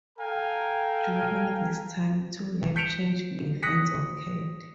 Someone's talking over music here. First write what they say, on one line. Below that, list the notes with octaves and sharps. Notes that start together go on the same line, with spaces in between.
During this time two life-changing events occurred.
A4 F5 G5 G#5 A#5
G6 B6 C#7 D7 E7 F7
D#6 F#6 A#6 B6 C#7